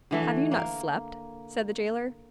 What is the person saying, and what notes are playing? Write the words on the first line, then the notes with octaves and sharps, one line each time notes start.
"Have you not slept?" said the jailer.
D3 E3 A3
A#3